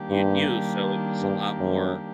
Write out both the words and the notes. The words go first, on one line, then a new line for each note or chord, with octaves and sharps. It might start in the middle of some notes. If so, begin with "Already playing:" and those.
you knew, so it was a lot more
Already playing: D#3 G3 A#3 D4 G4
G2
G2
F#2